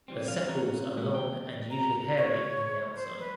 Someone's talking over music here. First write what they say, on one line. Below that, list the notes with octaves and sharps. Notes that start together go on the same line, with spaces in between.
The sepals are long and usually hairy on the outside.
E3 G3 C4
F2 D3 F5
C4 C#4 F#4 C#5 A#5
D#2 G#3 A#3 B4 F#5
D#2 G5
A#5
C#5
C5
B4